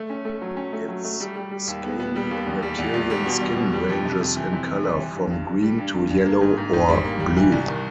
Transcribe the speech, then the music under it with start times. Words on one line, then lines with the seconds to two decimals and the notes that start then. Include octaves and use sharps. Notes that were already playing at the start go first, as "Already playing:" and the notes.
Its scaly reptilian skin ranges in color from green to yellow or blue.
Already playing: A3
0.10 C#4
0.25 A3
0.41 F#3
0.57 C#4
0.73 A3
0.88 F#3
1.04 A3
1.20 G3
1.36 G3
1.51 G3
1.67 D#2
1.84 B3
1.99 B3
2.16 G3
2.31 D#2
2.46 E2
2.62 G3
2.79 E2
2.94 E2
3.10 G3
3.26 B2
3.41 E2
3.57 B2
3.73 G3
3.89 F2
4.05 C3
4.21 C3
4.37 E3
4.53 C3
4.68 E3
4.84 G3
4.99 E3
5.15 G2
5.30 G2
5.46 G2
5.62 G3
5.78 G2
5.94 G2
6.10 G2
6.26 A#3
6.41 G#2
6.57 G#2
6.73 G#2
6.88 G3
7.05 A#3
7.20 G3
7.37 E3
7.52 C2
7.68 D#3